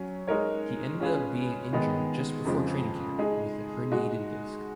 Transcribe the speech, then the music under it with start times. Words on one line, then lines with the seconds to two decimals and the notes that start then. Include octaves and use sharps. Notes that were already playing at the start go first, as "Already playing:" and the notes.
He ended up being injured just before training camp with a herniated disk.
Already playing: F#3 C#4
0.27 G#3 D#4 A#4 C#5
1.00 G#3 C#4 F4 G#4 B4
1.73 D#3 G#3 B3 D#4 G#4
2.45 F2 C#3 F3 G#3
3.19 G#3 D#4 G#4
3.92 G#3 D#4 F#4